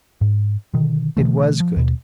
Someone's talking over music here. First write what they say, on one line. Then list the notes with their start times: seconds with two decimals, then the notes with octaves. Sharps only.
It was good.
0.21 G#2
0.74 B2 D3 D#3
1.17 B2 D3 E3 A3
1.60 F3
1.76 D#2 B2